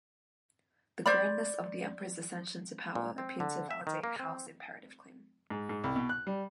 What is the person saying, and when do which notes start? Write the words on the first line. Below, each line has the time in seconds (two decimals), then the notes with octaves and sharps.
The grandness of the emperor's ascension to power appeared to validate Howell's imperative claim.
1.06 C5 D5 B5
2.95 A#2
3.18 C4
3.40 D3
3.71 E5
3.87 D#3
4.03 A#3
4.19 C4
5.50 G#2
5.69 G#2
5.84 C2
5.96 B2
6.09 F#6
6.27 G3